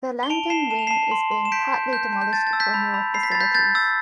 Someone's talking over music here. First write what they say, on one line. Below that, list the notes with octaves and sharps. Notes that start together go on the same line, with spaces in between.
The Langdon Wing is being partly demolished for newer facilities.
G7
A5 D7 F7
A5 C7 E7
A5 E7
F7
A5 C7 E7
C6
C6
E7
G6 B6 D7
G6
G6
A5
G6
A5 A6
A6
E6
G6 B6
B5
B5
B5 C7
B6
B5 A6
G6 B6
G6 A6
E6 A6